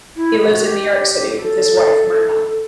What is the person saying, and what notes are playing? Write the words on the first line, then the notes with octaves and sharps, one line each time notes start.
He lives in New York City with his wife, Myrna.
E4
G4
F#4
G4
A4